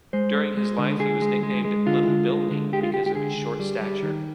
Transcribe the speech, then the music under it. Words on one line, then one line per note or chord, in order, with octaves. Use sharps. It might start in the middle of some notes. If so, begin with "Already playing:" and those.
During his life he was nicknamed "Little Bilney" because of his short stature.
G#3 C5
G#3
G#3
D3
D3 G#4
G#3
G#3
G#3
D3 F4
D3
G#3
D3
G#3 G4
F4
G#3 G4
G4
D3 G#4
D3
G3
G3
D#3